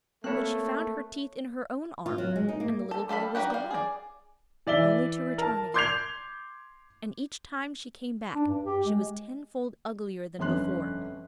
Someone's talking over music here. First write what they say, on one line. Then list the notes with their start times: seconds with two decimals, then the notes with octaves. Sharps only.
But she found her teeth in her own arm, and the little girl was gone--only to return again; and each time she came back she was tenfold uglier than before.
0.24 A3 A#3 C4 C#5 A5 B5 F#6
2.06 F4
2.18 F#3
2.36 G#3
2.49 D#4
2.60 A#3
2.91 A4
3.09 G3 A4 F5 B5
3.35 D#4 F#4 G4 F#5
3.50 G3 F5
3.71 G#4 D5
4.67 E3 D5 E5 G7
5.38 A#4 A5
5.74 C6 D6 G6 G#6 C7 F7
8.35 D4
8.48 G2
8.65 G4
8.85 G#3
10.39 G1 F2 C#4 C6 F#6